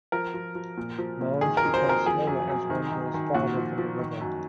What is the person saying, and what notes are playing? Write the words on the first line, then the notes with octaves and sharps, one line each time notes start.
Mounds become smaller as one goes farther from the river.
F3 A#4
F3
F3
A#2
F3
A#2
D#3 G#4
A#4
F2
C5
F2 A#4
F3 G#4
F#2
F#2
D#3
D#3
D#3
A#2 F#4
F3
F3
D#3
F#2